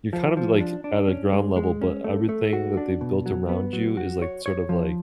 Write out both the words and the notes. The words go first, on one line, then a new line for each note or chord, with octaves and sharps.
you're kind of d like, at a ground level, but everything that they've built around you is, like, sort of, like,
F3
F3
D4
D4
C#4
G#3
G#3
C#4
A3
A3
F#4
D4
B2
F#3
B3
F#3
F#4
C#5
C#5
F3